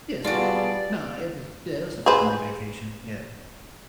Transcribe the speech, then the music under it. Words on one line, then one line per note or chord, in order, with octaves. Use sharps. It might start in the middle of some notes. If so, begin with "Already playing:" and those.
Yes, ma'am. Nah, it was yeah, it was a family vacation, yeah.
G3 B3 F4 F#4 G#4 D5 A5
G#4 B4 C5